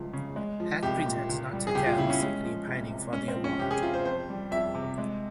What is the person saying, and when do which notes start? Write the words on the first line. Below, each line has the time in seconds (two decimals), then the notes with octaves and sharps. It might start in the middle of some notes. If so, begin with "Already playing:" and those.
Hack pretends not to care while secretly pining for the award.
Already playing: C#2 F3 G3 G#3
0.13 C#3
0.36 G#3
0.60 F3
0.83 C2 G4
1.06 A#2
1.29 C#2
1.52 G3
1.67 G#4
1.75 C#2 G4
1.86 F4
1.98 C#3 E4
2.10 C#4
2.21 G#3
2.44 F3
2.67 C2
2.91 C3
3.13 G#3 C#4
3.28 C4
3.36 F3
3.44 C#4
3.59 C2 G4
3.71 G#4
3.82 C3 F4
3.94 C5
4.05 F2 C5
4.29 G3
4.51 F2 E5
4.75 C3
4.98 G#3